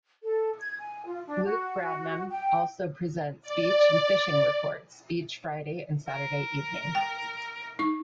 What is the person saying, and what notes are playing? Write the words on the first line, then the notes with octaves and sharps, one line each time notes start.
Luke Bradnam also presents Beach and Fishing reports each Friday and Saturday evening.
A4
G#6
G#5
F4
D4
F#4
G5
D5
A#4
G5
D#4 C#6